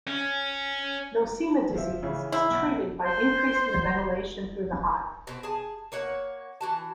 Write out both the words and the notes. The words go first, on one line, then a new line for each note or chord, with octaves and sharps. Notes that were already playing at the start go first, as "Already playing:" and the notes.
Nosema disease is treated by increasing the ventilation through the hive.
C#4
F3 E5
A2 C#3 E3
E4
B1
C5
B2 C4
G#4 A5
A#3 C#5 F#5
E3 F#4 A5